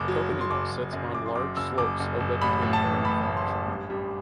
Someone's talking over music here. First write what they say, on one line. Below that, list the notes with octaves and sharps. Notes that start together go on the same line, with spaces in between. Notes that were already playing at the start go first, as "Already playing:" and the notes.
The Coconino sits on large slopes of vegetated Hermit Formation.
Already playing: F#1 D6
F#3
F#1
C6
F#1 D6
F#1
F#2
F#1 D6
C6
F#2 D6
F#1 E6
F#1 D6
F#1
F#1
A1 B5
A2
A5
E3
A2 B5
A2
C6
A1
G2
G3